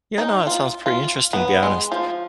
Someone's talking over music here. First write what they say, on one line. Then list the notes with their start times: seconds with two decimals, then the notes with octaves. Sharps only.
Yeah, no, that sounds pretty interesting be honest.
0.18 D#4
0.47 F4
0.86 F4
1.33 B3
1.63 G#3
1.92 F3